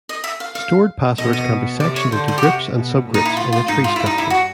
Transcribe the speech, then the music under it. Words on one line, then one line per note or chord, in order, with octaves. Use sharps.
Stored passwords can be sectioned into groups and subgroups in a tree structure.
D#5
E5
F5
F5
B2 D#5
D#5
C3 D5
C#5
D3 C5
C5
G4
C3 F#4
B2
A#2
D#4
E4
A2 F4
F4
G#2 D#4
F4
G2 E4
D#4
E4
F#4